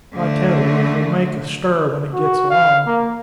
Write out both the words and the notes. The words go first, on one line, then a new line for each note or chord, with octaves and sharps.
I tell you, it'll make a stir when it gets along.
D3 A3
F#4
F5
A#3